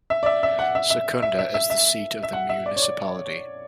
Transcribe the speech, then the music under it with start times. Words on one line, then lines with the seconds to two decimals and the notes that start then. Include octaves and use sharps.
Secunda is the seat of the municipality.
0.10 E5
0.23 D5
0.26 E5
0.43 E5
0.59 F#5
0.75 E5
0.90 E5
1.22 E5
1.39 E5
1.54 E5
1.70 E5
2.23 E5
2.33 F#5
2.49 E5
2.66 D5
2.76 C#5
2.82 D5